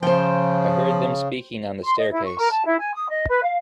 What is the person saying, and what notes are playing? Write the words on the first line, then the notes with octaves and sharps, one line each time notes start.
I heard them speaking on the staircase.
C#3 F3 C5 G5
C6
D#5
E4
C#6
A#4
A5
E4
G#5
D#6
D#5
B4
F5